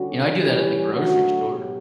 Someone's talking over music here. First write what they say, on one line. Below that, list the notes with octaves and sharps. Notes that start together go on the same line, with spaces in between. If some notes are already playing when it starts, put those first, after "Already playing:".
You know, I do that at the grocery store.
Already playing: D3 G3 C#4 F#4
E3 G3 C#4 G4
D3 F#3 A3 F#4
B2 F#3 G4